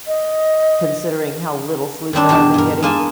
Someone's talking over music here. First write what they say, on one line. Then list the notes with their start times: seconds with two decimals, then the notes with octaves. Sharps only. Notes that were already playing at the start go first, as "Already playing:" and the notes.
considering how little sleep that I've been getting
0.07 D#5
2.13 D#3 G3 C4 D4
2.29 E2 B2 G4 A5
2.54 G2 A#4
2.82 G#3 A#3 G#5 A5